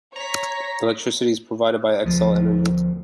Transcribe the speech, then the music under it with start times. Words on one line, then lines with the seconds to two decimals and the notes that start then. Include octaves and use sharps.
Electricity is provided by Xcel Energy.
0.16 C#5 A#5 B6
2.04 D2 F3